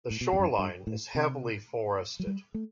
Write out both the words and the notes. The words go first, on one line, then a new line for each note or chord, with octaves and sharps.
The shoreline is heavily forested.
A2
B2
E2
F#2
G2
A2
C3
F#3
G3
A3